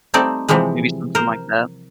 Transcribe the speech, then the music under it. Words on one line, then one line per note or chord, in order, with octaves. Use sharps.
maybe something like that?
G3 A3 C4 D#4 A4 D5
C3 E3 F3 G3 G#3
A#4 C5